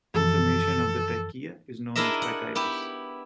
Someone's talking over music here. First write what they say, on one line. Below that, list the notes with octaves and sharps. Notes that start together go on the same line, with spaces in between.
Inflammation of the trachea is known as tracheitis.
F#2 E3 F3 A4
D4 E4 G#4 A#4 D#5 E5
F#5
B3 E4 G4